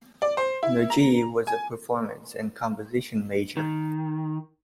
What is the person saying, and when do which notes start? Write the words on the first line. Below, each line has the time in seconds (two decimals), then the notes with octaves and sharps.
Najee was a performance and composition major.
0.22 D5
0.37 C5
0.63 E4
0.90 A#5
1.47 G#5
3.57 D#3